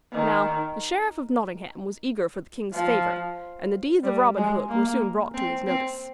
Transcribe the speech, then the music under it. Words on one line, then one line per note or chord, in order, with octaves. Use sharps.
Now the Sheriff of Nottingham was eager for the King's favor and the deeds of Robin Hood were soon brought to his notice.
D#3
F3
G3
G#3
A#3
C4
C4